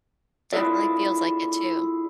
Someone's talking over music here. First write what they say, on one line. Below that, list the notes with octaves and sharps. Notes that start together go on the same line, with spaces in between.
Definitely feels like it too.
D4 E4 F4 G#4 A4 D5